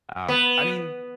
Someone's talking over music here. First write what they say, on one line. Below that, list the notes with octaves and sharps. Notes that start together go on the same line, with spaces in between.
Um, I mean,
B3